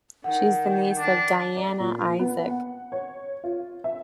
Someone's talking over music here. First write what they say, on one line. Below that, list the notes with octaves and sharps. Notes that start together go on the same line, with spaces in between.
She is the niece of Diana Isaac.
D#3 F#5
D4
D5
A#2
B3
F#5
C#5
F4
E5